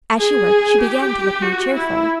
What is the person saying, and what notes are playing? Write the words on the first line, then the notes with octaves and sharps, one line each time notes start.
As she worked she began to look more cheerful.
G#4
G4
F#4
E4